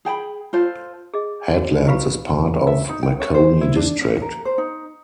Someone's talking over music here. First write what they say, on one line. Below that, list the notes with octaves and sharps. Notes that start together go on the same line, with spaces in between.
Headlands is part of Makoni District.
G#4 G5 A5 B5
F4 A4 C5
G#4 D#5
F#4
E4 F#4 G4 B4 F5 B5
E5
D#4
G5
C#5
C5
E4
D4
C#4
A#4
C5
D#4